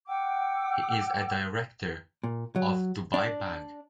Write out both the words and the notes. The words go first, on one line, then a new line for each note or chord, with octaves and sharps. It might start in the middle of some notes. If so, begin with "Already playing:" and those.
He is a director of Dubai Bank.
F#5 G5 D6 E6
A#2
F#3
D4